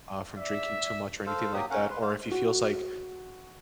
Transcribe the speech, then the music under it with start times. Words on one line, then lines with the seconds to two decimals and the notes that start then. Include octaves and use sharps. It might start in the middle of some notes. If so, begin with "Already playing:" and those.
uh, from drinking too much or anything like that. Or if he feels like,
0.37 D5 E5
1.26 A4 C5 F5
1.54 F#3 A#3 G4 D#6
1.70 C#4 A#4 F5 F#5
1.91 B4 C6
2.02 C5 F5
2.31 F#4